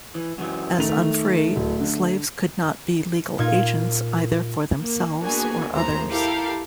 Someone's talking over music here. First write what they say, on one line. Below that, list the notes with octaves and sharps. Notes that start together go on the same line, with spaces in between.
As unfree, slaves could not be legal agents either for themselves or others.
E3
F#2 E3 F#3
D#3 A3 F7
D1
D3
A#2 D#4 F4 G#6
A#3
A#3 B3 D4 F#4 G#4 G#5
G#1 D#2 A3 C5 A#5
E4 G4 A4 A#4 F5